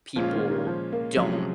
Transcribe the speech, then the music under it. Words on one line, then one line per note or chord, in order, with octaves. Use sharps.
people don't
A#2 F3 G#3 C#4 F4
D#3
D#3
F3
A#3
C3 F3 F#3 G#3 C#4